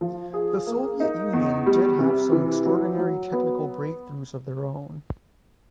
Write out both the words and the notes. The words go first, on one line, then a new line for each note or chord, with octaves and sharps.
The Soviet Union did have some extraordinary technical breakthroughs of their own.
F3
G#4
A#3
D#4
E2
G3
C3
E3
F#3
F#3
B3